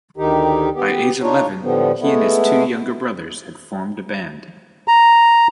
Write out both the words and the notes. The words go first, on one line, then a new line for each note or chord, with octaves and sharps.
By age eleven, he and his two younger brothers had formed a band.
D2 D#3 D#4 G4
B3 G4
D4 D#4 F4 C#5
A2 D3 F3 G3 B3
G#3 A3 B3 E4
A#5